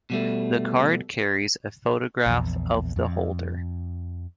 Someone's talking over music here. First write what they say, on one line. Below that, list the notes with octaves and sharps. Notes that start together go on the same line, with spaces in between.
The card carries a photograph of the holder.
B2 G3 A3
A#1 E2
F2